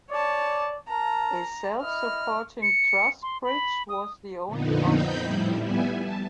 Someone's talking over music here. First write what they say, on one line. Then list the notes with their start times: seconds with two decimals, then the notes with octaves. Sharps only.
A self-supporting truss bridge was the only option.
0.10 C#5 D5 A5
0.88 A#4 A5 A#5
1.81 E4 D#5 F6
2.63 C#7
3.23 C6
3.44 B5
3.89 D#6
4.47 F2 A#2 D3 B3 D#4
4.91 C4 D#4 B5 G6
5.21 A2 F3 G3 E4
5.61 G3 B3 E5 G#5
5.99 A5